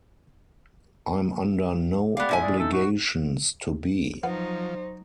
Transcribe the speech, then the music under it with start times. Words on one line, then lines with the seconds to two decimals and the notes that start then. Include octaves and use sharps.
I'm under no obligations to be.
2.17 B3 G4 D5 F5
2.29 A#2 E4 G#5
2.41 G#3 D5
2.59 D#4 A4
2.73 F#4
4.23 F3 F#3 D#4 B4 C5 F5 F#5